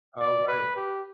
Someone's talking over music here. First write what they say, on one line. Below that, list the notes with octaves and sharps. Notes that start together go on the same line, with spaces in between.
Oh, right.
D5
B4
G4